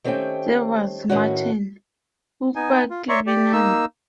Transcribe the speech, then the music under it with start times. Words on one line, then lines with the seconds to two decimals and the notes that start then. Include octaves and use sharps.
Sievers, Martin: Purpurkvinnan.
0.04 D#3 A3 C4 C#4 G4 G5
1.09 A2 D#3 C#4 F#4
2.56 B3 D#4 G#5
2.90 F4
3.09 C#5 D5 E5 A#5 C6 C#6
3.27 G4 D5
3.53 A#3 D#4 E6